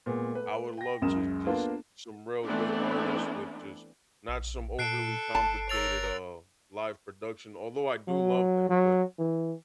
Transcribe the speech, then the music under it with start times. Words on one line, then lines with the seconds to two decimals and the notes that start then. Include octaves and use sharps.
I would love to just Some real good artists with just not some overly complicated, uh, live production, although I do love that, but
0.06 A#2 G#3 B3
0.33 A3 B4
0.78 G5 A#6
1.02 C#2 F#2 C#3 A#4 D#6 E7
1.46 A#3 B3 D4 F4 A4 B4
2.44 E3 A3 B3 C4 D4 A4
4.29 A#1
4.79 A#2 A4 F#6 C7 D7
5.35 G1 A5
5.69 A#4 C#5 E6 A6 F7
8.08 F#3
8.69 F#3
9.19 E3